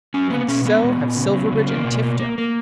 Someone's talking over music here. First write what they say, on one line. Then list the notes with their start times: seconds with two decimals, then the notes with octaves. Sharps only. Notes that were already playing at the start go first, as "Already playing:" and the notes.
And so have Silverbridge and Tifto.
0.14 F#3 C#4
0.30 A#3 B3
0.48 B2 C#4
0.65 G#3 B3
0.83 A#2
1.00 A#2
1.16 C#3
1.34 F#3
1.52 C#3
1.68 A#3
1.85 B2
2.03 A#3
2.20 A#3
2.38 A#3